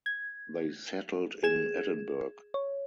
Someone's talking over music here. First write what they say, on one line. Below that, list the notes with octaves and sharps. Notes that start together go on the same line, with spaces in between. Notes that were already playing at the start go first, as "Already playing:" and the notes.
They settled in Edinburgh.
G#6
G#4 G#6 E7
C#5